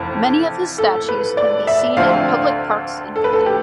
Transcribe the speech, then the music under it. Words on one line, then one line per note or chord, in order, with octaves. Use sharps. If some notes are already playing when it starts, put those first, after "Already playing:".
Many of his statues can be seen in public parks in Vienna.
Already playing: F1 F2 E3
A4
B4
D5
E5
D2 D3 F3 C4 F5
A4
B4
A4
G4